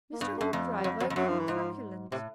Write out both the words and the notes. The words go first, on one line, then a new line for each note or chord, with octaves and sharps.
Mr. Hoopdriver grew truculent.
A#3
G2 B3
A#3
F#2
F2 A3
G3
F2 F#3
F2 F#3
F2
F#2 F#3
F3
E3
G#2 F3
A2 C3